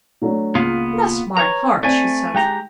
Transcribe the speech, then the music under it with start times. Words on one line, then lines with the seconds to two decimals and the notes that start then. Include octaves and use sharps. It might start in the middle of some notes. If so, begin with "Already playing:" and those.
"Bless my heart!" she said.
0.22 F#3 A3 D4
0.55 C#2 A#3 B3 F4
1.37 B4 C#5 A#5
1.83 A3 C4 D5 G#5
2.35 G#3 G4 G5 A#5